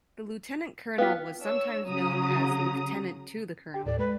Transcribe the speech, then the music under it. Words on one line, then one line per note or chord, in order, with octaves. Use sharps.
The lieutenant colonel was sometimes known as lieutenant to the colonel.
B3 F4 F5 G5 B6
D4 C#5 E6
C#3 F#3 A#5 D#6
G4 G5
D#2 A2 A4 D5
G#3 B4